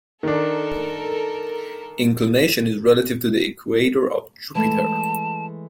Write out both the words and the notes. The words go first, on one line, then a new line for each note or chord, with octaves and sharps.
Inclination is relative to the equator of Jupiter.
D#3 D4 A4 A#4
E3 G#3 A3 A5